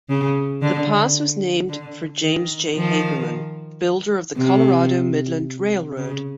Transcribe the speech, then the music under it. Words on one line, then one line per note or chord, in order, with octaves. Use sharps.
The pass was named for James J. Hagerman, builder of the Colorado Midland Railroad.
C#3
D3
D3
D#3
D#3 F3
C3
C#3